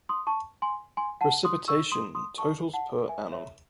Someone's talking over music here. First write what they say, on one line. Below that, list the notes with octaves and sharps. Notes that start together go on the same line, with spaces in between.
Precipitation totals per annum.
C6 D#6
A5 C#6
G#5 C6
G#5 C6
F#5 A5
C6 D#6
C#6 E6
C6 D#6
C6 D#6
A5 C#6
F#5 A5
E5 G#5
C#5 E5